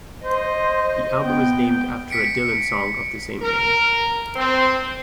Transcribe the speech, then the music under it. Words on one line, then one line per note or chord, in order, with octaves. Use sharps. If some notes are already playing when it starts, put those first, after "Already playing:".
The album is named after a Dylan song of the same name.
C5 D#5
B3 G5
B6 C#7 D7
A#4
C4